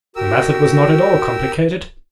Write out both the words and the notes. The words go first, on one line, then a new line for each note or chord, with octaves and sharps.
The method was not at all complicated.
F#4 G4 A#4 E6